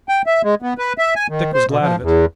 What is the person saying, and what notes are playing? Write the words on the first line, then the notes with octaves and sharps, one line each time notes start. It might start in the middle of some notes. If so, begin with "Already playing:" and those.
Dick was glad of it.
G5
E5
G#3
B3
B4
E5
G#5
D#3
C5
B2
F3
E2